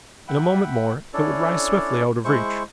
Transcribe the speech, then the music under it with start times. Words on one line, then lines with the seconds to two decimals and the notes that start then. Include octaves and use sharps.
In a moment more it would rise swiftly out of reach.
0.28 E5 F#5 G5 B5
1.14 C#4 D4 E4 A4 C#5 D5
2.25 G#3 E4 C5 C#6